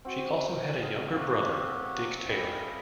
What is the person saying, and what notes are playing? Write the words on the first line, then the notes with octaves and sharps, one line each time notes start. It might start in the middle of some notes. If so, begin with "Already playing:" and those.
She also had a younger brother, Dick Taylor.
C4 F#4
G#4 A#4
F#3 F#4 G4 F5
G3 G4 D#5 E5 G#5